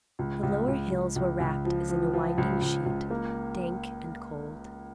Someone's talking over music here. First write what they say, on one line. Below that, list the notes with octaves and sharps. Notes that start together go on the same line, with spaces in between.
The lower hills were wrapped as in a winding sheet; dank and cold.
C#2
C#2
C#2
C#2
C#2
C#2
F3
F3
F3
C#2
C#2
C#2
A#3